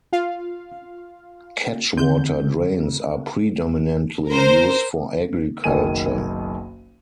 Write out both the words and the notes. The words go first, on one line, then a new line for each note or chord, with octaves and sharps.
Catchwater drains are predominately used for agriculture.
F4 F5
D3 C4 G6
A#4 C5
F#1 B1 D#3 A#4 G#5 D#7